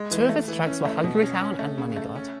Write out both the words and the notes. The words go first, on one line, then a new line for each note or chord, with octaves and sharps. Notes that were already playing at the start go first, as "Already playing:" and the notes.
Two of its tracks were "Hungry Town" and "Money God".
Already playing: G#3
E3
A3
E3
C#4
A3
B2
C#4
C#4
A3
C#3
A3
C#4